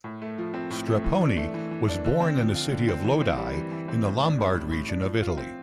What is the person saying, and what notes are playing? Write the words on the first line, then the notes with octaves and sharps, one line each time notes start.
Strepponi was born in the city of Lodi in the Lombard region of Italy.
A2
A3
F3
C4
A2
A3
E3
D4
A3
E3
E3
D4
D3
C4
F3
F4
D3
C4
E3
C4
G3
E3
E3
C4
A2
D4
G3
A2
A2
D4
F3
F4
C4